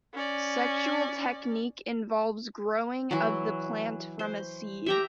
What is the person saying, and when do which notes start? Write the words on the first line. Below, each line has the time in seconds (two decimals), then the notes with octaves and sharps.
Sexual technique involves growing of the plant from a seed.
0.14 C#4 D5
3.11 E3 F#3
4.19 C5
4.86 G4 E5 G5 A#5